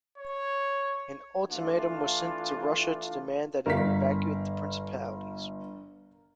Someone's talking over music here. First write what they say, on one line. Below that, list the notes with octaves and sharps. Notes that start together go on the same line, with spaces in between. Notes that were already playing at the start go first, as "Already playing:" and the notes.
An ultimatum was sent to Russia to demand that it evacuate the Principalities.
C#5
E3 A3 D4 E4 F4
G1 A#4 F5 B6